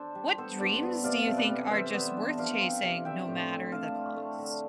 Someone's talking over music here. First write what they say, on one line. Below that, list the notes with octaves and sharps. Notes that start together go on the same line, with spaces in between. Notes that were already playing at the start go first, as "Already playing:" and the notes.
What dreams do you think are just worth chasing, no matter the cost?
Already playing: D4 A4 C5
G3
B3 A4 C5
G2 B4 D5
B3
C3 D5 F5
C3
B4 D5
C3
E3 C5 E5
B3
D4
F3 D5 F5
C4
C3
C4 E5 G5
A2
C4
D4 F5 A5
A3
A3
D3